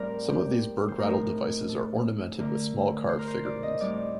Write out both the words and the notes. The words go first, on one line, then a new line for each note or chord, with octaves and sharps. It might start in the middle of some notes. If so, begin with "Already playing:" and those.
Some of these bird-rattle devices are ornamented with small carved figurines.
Already playing: A2 G3 C4 A#4 C5 D5
G4
C5
A2 A3 D#4 A#4
A4
D3 A3 D4 A#4
C5
A#4
C5
D5
D#5
A2 G3 C4 D#4 D5